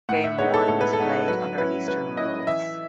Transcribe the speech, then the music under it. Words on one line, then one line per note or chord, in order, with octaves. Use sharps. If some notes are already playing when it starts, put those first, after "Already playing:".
Game one was played under eastern rules.
A2 F#5
E5
G#3 B3 D#4 C#5
A4
A2 A4
B4
A4
G#3 B3 D#4
F#3 B4
C#4 E4 B4
F#3 B4
C#4 E4 D#5
E3 E5